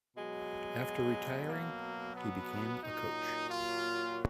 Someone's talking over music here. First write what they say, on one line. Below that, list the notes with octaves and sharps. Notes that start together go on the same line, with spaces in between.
After retiring, he became a coach.
B2 F#3 G#3
A#3
B3
A#2 F#3 D#4
F4